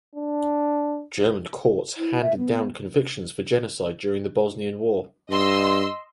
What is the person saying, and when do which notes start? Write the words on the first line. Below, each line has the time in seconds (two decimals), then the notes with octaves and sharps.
German courts handed down convictions for genocide during the Bosnian War.
0.15 D4
1.97 E4
2.22 E5
2.38 B3
5.30 G2 D#5 C6 E6